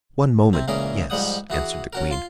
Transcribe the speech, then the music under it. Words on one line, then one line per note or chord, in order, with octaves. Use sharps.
"One moment, yes," answered the queen.
C3 C4
C#2 A#2 E3 C#4 G#4 A#4
G#2 F3 G3 F#5 D#6
E3 F#4 G#4
C#4 F#4 A#4
F4 C6